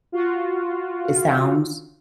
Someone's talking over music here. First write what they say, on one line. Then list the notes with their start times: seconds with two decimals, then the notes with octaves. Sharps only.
it sounds
0.12 F4 F#4